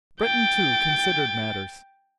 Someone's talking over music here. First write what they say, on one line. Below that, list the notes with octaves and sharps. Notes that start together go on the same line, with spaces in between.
Breton, too, considered matters.
G5 A6